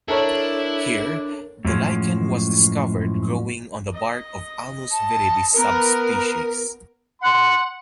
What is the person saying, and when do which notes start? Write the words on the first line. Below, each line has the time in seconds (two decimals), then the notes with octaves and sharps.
Here the lichen was discovered growing on the bark of "Alnus viridis" subsp.
0.08 D4 E4 A4 A#4 C#5
1.65 F#2 A2 F3 G#3
3.94 D#5
4.91 A5
5.54 B3 A#4 A#5
7.21 F#5 C6